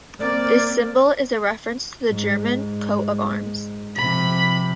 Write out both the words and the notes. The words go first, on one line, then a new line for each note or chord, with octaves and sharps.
This symbol is a reference to the German coat of arms.
A#3 C4 D5
G#2
C3 F3 B5